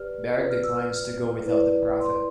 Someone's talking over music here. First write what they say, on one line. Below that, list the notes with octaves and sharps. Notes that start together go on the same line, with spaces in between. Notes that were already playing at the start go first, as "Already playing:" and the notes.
Barak declines to go without the prophet.
Already playing: G4 B4 D5 F6
F4 B4 D5
F6
E6
F6
F6
E4 B4 D5
C6